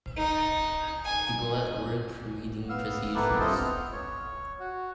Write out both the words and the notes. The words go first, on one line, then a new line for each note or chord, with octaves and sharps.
People at work reading procedures.
D#4
G#5
B3 F5 E6
A#3 B3 E4 G4 A4 B4
C4 E4 F4 A4 D#5 G5
B3 F6
C#5
F#4